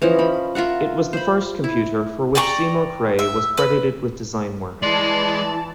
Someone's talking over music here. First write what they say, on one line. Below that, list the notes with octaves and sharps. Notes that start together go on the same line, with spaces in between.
It was the first computer for which Seymour Cray was credited with design work.
E3 F3 C#4 D#5
F3 B5
F4 A#4 E5 F#5
C5 B5
E4
D5 G5 A#5 C#6
E5
B4
E3 G#3 D5 A5 C6